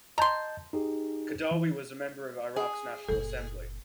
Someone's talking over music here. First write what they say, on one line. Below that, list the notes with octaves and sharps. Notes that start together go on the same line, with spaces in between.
Khadawi was a member of Iraq's National Assembly.
D#5 A5 A#5 C6 G6
D#4 G4 G#4
E3
G#4
F#1 A#2 A4